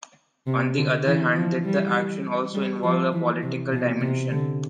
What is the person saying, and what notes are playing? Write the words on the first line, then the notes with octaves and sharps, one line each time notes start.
On the other hand, did the action also involve a political dimension?
C3
D3
E3
F3
G3
G3
F3
E3
C3
B2
C3
D3